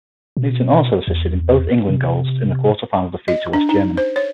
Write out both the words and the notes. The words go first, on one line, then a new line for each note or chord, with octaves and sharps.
Newton also assisted in both England goals in the Quarter-Final defeat to West Germany.
B2
E2
C3
D#5
D4
D#4
C5
C#5